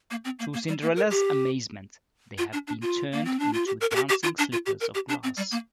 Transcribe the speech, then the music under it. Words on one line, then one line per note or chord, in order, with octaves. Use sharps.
To Cinderella's amazement, they have been turned into dancing slippers of glass.
A#3
C4
A#3
A#3
G3
A#3
A#4
G4
F4
D4
D4
F4
A#3
C4
D4
F4
G4
A#4
A#4
G4
G4
F4
D4
F4
G4
A#4
G4
D4
C4
G3
A#3